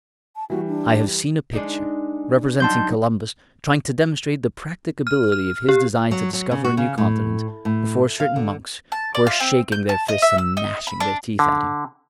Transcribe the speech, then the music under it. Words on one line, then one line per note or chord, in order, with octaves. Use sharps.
I have seen a picture representing Columbus trying to demonstrate the practicability of his design to discover a new Continent before certain monks who are shaking their fists and gnashing their teeth at him.
A5
E3 G3 F#4
D4
G#3 D4 D#4
F#3 G3 D#4 A5 C6 G6
F6
F6
G4
F#3
F#3
C#3
F#4
C#3
A2
A2
F5
D3
A5
D5
F4
C4
G6
A5
D#5
E5
E6
D#4
B5
D4
D3